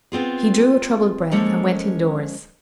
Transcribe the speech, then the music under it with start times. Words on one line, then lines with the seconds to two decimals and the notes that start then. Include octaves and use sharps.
He drew a troubled breath, and went in-doors.
0.12 B3 C4 F4 G#4
1.31 F3 G#3 A#3 C#4 A4